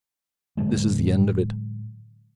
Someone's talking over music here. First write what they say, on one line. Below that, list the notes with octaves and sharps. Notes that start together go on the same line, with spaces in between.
This is the end of it.
A2 D3 F#3 G#3